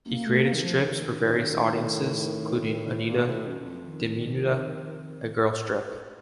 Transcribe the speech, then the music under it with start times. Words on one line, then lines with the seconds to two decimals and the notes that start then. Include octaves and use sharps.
He created strips for various audiences, including "Anita Diminuta", a girl strip.
0.06 F#2 A#3
0.25 A3
0.44 A#3
0.54 D#3
0.63 F3
0.82 D#3
1.57 A2
3.09 A#2
3.28 A2
3.47 F#2
3.60 F#2
3.66 F2
3.85 D#3